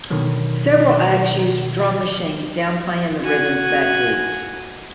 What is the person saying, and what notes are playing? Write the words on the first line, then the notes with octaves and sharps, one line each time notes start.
Several acts used drum machines downplaying the rhythm's backbeat.
B2 D3 D#3 F#3
F#4 G#5